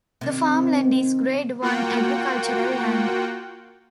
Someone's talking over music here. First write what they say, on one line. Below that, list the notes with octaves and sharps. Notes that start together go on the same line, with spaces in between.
The farmland is grade one agricultural land.
C3 D#3
A#3 F4 F#4 F#5 G5